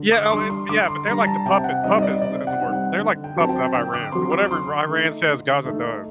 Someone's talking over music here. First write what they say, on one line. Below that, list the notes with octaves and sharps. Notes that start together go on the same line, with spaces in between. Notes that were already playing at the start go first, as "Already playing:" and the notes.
Yeah. Oh, it Yeah, but they're like the puppet puppets, is the word. But they're like the puppet of Iran. Whatever Ira Iran says, Gaza does.
Already playing: D3
D6
D6
G3 D4 C6
C6
D3 D6
C6
G3 D4 A#5
A5
C3 G5
F#5
G3 C4 D#4 D#5
D#5
D5
C3 D5
F#5
G3 C4 D#4
F#5
D3
G5
F#3 C4 A5
G5
D3 G5
D6
F#3 C4 C6
D6
D6
D3 C6
A3 D#4
D3
A3 D#4